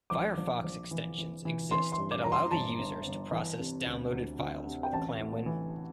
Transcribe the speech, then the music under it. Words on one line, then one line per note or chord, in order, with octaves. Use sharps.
Firefox extensions exist that allow the users to process downloaded files with ClamWin.
A#1 D6
A#1
A#1
E3
E3
E3
E3 C6
C6
G2
D6
E3 A#5
C6
G1 A5
G1
G1
E3
C3
D2
D2
D2
C3
G5
A1 A5
A2
E3